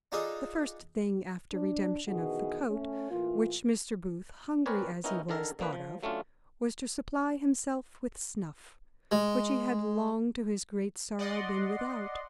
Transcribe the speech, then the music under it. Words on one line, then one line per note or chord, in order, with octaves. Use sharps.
The first thing after redemption of the coat, which Mr. Booth, hungry as he was, thought of, was to supply himself with snuff, which he had long, to his great sorrow, been without.
D4 D#4 F4 G#4 A4 D#5
D4
B2 D#3 E3 D#4 F#4 G#4
A3 C#4
A2 E3 A#3 F4
C4 A#4 B4 C#5 D5 G#5
B3 C#4 D#4 E4 A#4
D3 D#3 A4 A#4
D3 F3 A#3 D4 B4
F3
F#3 A3 C#4 D4 F4
G#3
D5 D#5 F#5 C6